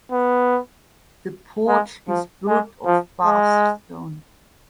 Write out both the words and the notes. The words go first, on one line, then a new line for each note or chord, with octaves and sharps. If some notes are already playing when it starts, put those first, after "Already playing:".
The porch is built of Bath stone.
B3
G#3
F3
G#3
F3
G#3